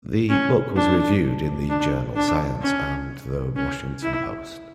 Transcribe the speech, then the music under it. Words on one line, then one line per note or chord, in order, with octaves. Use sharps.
The book was reviewed in the journal "Science" and the "Washington Post".
C#4
D4
D4
D4
C#4
C#4
E4